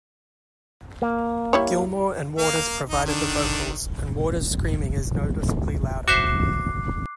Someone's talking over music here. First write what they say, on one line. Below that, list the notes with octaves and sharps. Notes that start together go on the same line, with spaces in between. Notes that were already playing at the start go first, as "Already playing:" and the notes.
Gilmour and Waters provided the vocals, and Waters' screaming is noticeably louder.
A#3
G3 E4 C#5
A#3 F5
D#4
D3 D#3 D4
F#4 C5 E5 D6 F#6 C7